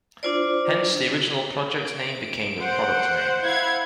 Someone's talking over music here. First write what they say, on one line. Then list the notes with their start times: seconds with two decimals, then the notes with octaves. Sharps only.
Hence, the original project name became the product name.
0.23 D4 E4 F4 C5 D5
1.75 D7
2.59 C5 F#5
3.43 E4 F5 G#6